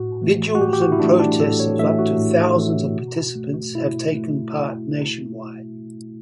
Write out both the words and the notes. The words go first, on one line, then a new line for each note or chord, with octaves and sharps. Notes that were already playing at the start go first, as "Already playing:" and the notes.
Vigils and protests of up to thousands of participants have taken part nationwide.
Already playing: A2 F#4
E3 A3
F#4
A2 G4
G4
F#4
E4
E3 A3 D4
D4
A2 A4
C#5
E3 A3 E5
F#4
A2
E3 A3
B2
A3
B2 E4
A3